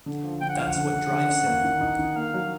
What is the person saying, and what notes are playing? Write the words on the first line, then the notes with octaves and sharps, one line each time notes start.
That's what drives him.
D3
F3
D3 G5
F#5
F3 F5
F#5
D3
D3
D3
C#4
A#3
D#3
D#4
D#3
A#3 F5
F#3